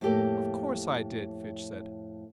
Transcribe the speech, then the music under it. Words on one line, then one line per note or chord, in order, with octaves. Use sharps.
"Of course, I did," Fitch said.
F2 A2 A#3 G4 A4